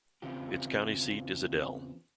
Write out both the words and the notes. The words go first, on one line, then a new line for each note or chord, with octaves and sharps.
Its county seat is Adel.
E2 C#3 C4 F4 G4